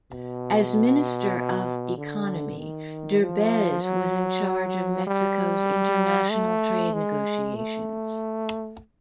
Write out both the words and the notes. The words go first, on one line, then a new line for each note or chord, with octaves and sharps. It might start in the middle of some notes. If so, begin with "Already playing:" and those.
As Minister of Economy, Derbez was in charge of Mexico's international trade negotiations.
B2
D3
D#3
F3
F#3
G3
A3
G#3
A3